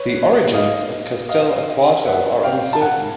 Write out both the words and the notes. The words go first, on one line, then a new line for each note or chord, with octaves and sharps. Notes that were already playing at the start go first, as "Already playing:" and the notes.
The origins of Castell'Arquato are uncertain.
Already playing: B4 C#5
D#5 F5
D#5 F5
E5 F#5
F5 G5
A5
F#5 G#5